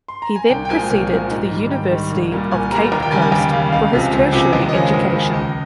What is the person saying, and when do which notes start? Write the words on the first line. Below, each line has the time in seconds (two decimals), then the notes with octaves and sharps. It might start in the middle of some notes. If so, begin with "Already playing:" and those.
He then proceeded to the University of Cape Coast for his tertiary education.
0.08 C6
0.22 A#5
0.36 G#5
0.49 C2 G5
0.65 G5
0.70 A#2 F3 G#3 G#5
0.90 C2 G5
1.10 A#2 F3 G#3
1.31 G#2
1.51 D#3 G3
1.70 G#2 G5
1.91 D#3 G3
2.11 C2
2.32 A#2 G3
2.51 C2 G#5
2.71 A#2 G3 A#5
2.92 D#2 A#5
3.02 G5
3.12 C#3 G3 G#5
3.22 G#5
3.32 D#2 G5
3.52 C#3 G3 F5
3.72 C#2 F5
3.93 C3 F3 G#3
4.13 C#2
4.33 C3 F3 G#3
4.53 D#2 D#5
4.69 D#5
4.73 C#3 F3 G#3 C#5
4.94 D#2
5.14 C#3 F3 G#3
5.34 C#2 D#5